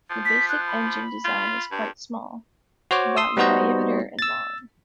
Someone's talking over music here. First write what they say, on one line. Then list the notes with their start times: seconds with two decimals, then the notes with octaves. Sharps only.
The basic engine design is quite small, about in diameter, and long.
0.10 F3
0.25 B6
0.49 F#6
0.67 B5
1.24 F4
1.71 G2
2.91 F#4 C5 C#5 D6
3.17 C6 D#6 E6
3.37 G3 B3 D#4 F#4 C5 D#5
4.19 E6 A6